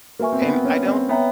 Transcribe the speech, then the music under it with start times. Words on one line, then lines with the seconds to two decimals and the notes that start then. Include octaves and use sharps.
and I don't
0.19 A#3 F#4 B4 E5 G#5 C#6
0.32 C4
0.42 B3
0.53 C4
0.65 C#4
0.86 C4
1.09 B3 C#5 E5 G5 A#5